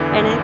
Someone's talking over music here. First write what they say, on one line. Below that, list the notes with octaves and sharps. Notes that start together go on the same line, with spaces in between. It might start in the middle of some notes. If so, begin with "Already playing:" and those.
and it
Already playing: E2 D3 E3
G#1